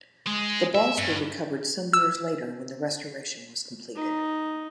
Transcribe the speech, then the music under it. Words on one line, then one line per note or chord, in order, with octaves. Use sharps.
The balls were recovered some years later when the restoration was completed.
G#3
E5
G2
E6
D#4